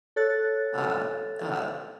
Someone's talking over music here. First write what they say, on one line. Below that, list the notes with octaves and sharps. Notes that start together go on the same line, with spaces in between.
uh uh
A4 C#5 F#6 A6